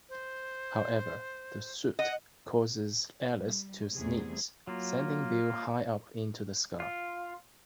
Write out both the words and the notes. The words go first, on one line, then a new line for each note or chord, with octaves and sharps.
However, the soot causes Alice to sneeze, sending Bill high up into the sky.
C5
D#5 F#5
G3
E2 C3 G3 A3 G#4
F#3 A#3 F4
F4